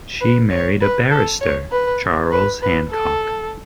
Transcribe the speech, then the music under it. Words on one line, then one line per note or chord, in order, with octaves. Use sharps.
She married a barrister Charles Hancock.
B4
C#5
B4
A4
C#5
B4
B4
B4
A4